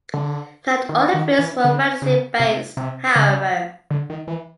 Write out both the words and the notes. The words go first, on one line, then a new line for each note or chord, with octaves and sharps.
Not all the films were fantasy-based, however.
D3
D#3
D#3
E3
D3
C#3
C3
C3
C#3
D3
D#3
E3